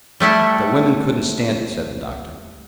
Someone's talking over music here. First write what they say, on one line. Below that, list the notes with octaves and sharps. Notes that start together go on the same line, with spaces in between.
"The women couldn't stand it," said the Doctor.
G3 A3 E4 F#5